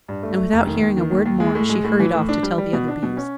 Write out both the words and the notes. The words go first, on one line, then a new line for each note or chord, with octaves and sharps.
And without hearing a word more, she hurried off to tell the other Bees.
G2
A3
A3
F1
D#3
D#2
D#3
D#2
D#2
G#3
A2
G#3
A2
E3
A2
D4
G3
G3
B2
D4
B2
C#4